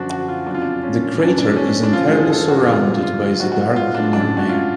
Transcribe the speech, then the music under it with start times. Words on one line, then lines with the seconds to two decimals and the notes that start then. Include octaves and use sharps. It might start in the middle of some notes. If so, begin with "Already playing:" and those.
The crater is entirely surrounded by the dark lunar mare.
Already playing: F#2 D3 F3 D4 F#4
0.10 F#4
0.28 F4
0.46 F2 C#3 F#3 D4
0.54 F4
0.62 D4
0.83 C#4
1.20 F#2 C#3 F#3 D4
1.38 D4
1.56 C#4
1.83 D4
1.93 F#2 D3 F3 F4
2.12 G#4
2.30 A4
2.49 F#4
2.66 F2 D3 F#3 F4
3.03 F4
3.40 G#2 F#3 F#4
3.52 F#4
3.76 F4
3.95 D4
4.13 F#2 C#3 F#3 D4
4.37 F#4
4.49 F4